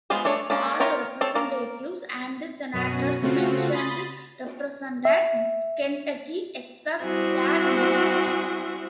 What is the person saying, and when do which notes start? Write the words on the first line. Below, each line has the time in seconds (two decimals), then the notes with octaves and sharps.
All representatives and senators mentioned represented Kentucky except where noted.
0.10 G#3 B3 F4 G#4 C5
0.25 A3 D4 C#5
0.50 G#3 A#3 C#4 D4
0.80 F4 A#4 C#5 G5
1.21 C4 A4 C5 C#5
1.35 A#3 A#4
2.73 F#2 B2 C#4 F#4 D#7
3.22 C#3 A3 C4 F4 F#4
3.72 B5 C6 D#6 A6
5.05 E5
7.02 G3 C4 E4 F#4 G#4 C5